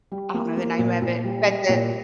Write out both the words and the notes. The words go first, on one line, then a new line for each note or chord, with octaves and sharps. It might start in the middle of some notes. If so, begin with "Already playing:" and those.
I don't know the name of it, but the
G3
A#3
A#3
A#2
A#2
G3
G3
A#2